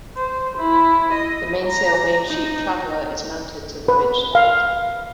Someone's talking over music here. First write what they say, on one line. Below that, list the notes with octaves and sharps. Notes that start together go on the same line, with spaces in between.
The mainsail mainsheet traveler is mounted to the bridge deck.
C5
E4
D#5
A#5
D#4
B4
F5